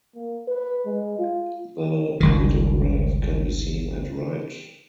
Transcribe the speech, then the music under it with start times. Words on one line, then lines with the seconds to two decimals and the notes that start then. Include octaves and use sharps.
The lithograph can be seen at right.
0.15 A#3
0.48 B4
0.85 G#3
1.19 F4
2.20 G1 C#2 D#3